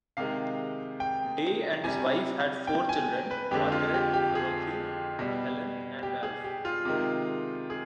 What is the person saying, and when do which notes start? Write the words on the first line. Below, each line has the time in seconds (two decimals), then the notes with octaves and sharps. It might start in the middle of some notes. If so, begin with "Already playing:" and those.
Day and his wife had four children: Margaret, Dorothy, Helen and Ralph.
0.17 C3 D#3 G#3 F5
1.00 G5
1.84 C3 G3 G#5
2.67 G5
2.89 G#5
3.31 B4
3.51 F2 D3 G#3 G4
3.72 F4
3.94 G4
4.14 G4
4.35 G#4
5.19 B2 G3
6.03 G4
6.23 G#4
6.44 G4
6.65 F4
6.85 C3 D#3 G#3
7.70 G#4